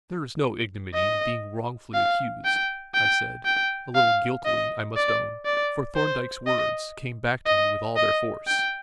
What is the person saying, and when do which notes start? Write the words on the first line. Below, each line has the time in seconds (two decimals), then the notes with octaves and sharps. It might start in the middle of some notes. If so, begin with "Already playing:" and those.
"There is no ignominy in being wrongfully accused," I said--a little guiltily, I must own, for Thorndyke's words came back to me with all their force.
0.94 D#5
1.94 F5
2.45 G5
2.94 G5
3.45 G5
3.95 F5
4.45 D#5
4.96 D5
5.45 D5
5.95 C5
6.47 D#5
7.46 D#5
7.96 D#5
8.47 G5